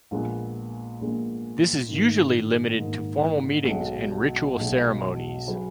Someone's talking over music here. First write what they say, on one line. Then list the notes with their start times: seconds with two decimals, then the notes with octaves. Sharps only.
This is usually limited to formal meetings and ritual ceremonies.
0.11 A#1 A#2 G#3 B3
1.00 A#1 A#2 G#3 B3
1.89 G#2 D#3 A#3
2.78 G#2 D#3 A#3
3.67 B1 B2 G#3
4.57 B1 B2 G#3
5.46 C#3 F#3 C#4 G#4 B4